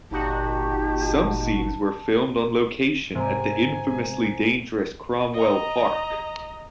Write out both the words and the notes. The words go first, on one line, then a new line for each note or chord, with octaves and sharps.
Some scenes were filmed on location at the infamously dangerous Cromwell Park.
G1 A#2 D#4 F#4 G4 A5
G#2 C3 C5 G#5 A#5
D#5 A#5